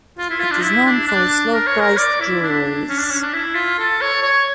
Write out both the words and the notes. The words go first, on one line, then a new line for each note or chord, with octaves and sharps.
It is known for its low-priced jewelries.
F4
E4
F4
D4
E4
D4
D4
A#4
C#5
A#4
D5
E4
D4
C#4
D4
C#4
D4
E4
F4
A4
C#5
C#5